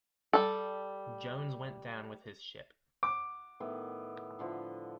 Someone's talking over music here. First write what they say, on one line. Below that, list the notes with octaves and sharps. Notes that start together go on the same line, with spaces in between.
Jones went down with his ship.
G3 A4
F#5 D6
A2 D#3 B3
A2 D3 F3